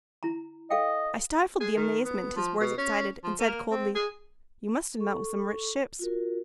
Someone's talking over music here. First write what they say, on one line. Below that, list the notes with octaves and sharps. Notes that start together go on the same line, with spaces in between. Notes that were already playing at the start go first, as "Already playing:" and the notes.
I stifled the amazement his words excited, and said coldly, "You must have met with some rich ships."
E4 A#5
A4 D#5 F5 G5
G#4
D#3
B3
F3
B2
C#4
F3
A#3
C4
G#4
A4 C#6
F4 F#4 A#4